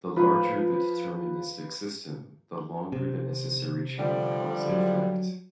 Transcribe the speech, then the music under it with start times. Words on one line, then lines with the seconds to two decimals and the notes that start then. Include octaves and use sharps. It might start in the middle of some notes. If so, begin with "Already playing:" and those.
The larger the deterministic system, the longer the necessary chain of cause and effect.
0.16 F3 B4 F5
2.92 C3
3.99 D3 F3 G3
4.69 F#3